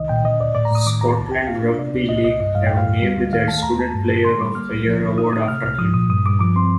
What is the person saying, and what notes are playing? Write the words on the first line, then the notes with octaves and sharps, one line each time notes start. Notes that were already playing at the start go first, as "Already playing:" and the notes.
Scotland Rugby League have named their Student Player of the Year Award after him.
Already playing: C2 D#3 D#5
A#2 G5
D3 D#5
D2 D5
A2 D5
A#5
A2 D#6
D#3 D6
D#2 A#5
C2 A5
C2 G5
A#3 F5
D4
C3 D5
D2
C2 D#5
C2 D#5
G2 D#5
G2 F5
D2 G5
F5
D2
G3
D2
D#3 F5
A3 A5
D#2 A#5
A#3 A5
G2
D3
D3 C6
G3 D6
A#3 F6
C2
F3
D3
D#4 D#6
A3 D#6
C3 F6
C2 F6
F3 D#6
A#2 D#6
G2 D#6
G2 D6
F3 D6
C4 C6